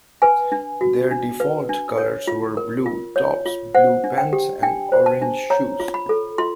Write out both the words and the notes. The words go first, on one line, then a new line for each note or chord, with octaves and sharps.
Their default colors were blue tops, blue pants and orange shoes.
B4 G#5
D4
F#4
D4
B4
D4
C#5
F4
A#4
F4
C#5
F4
C5 F#5
D4
G5
G4
D4 G5
C5
A5
D4
C#5 A#5
F4
B5
A4
F4 C6